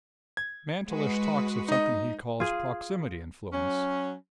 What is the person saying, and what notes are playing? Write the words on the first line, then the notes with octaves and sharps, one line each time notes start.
Mantelish talks of something he calls proximity influence.
G#6
G#3 F#4 B4
D#4 D#5
F4 G#4
F#3 C#4